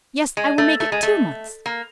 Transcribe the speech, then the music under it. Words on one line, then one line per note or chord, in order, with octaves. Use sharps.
Yes, I will make it two months.
G#3
A3
A3
G#3
A3
A#3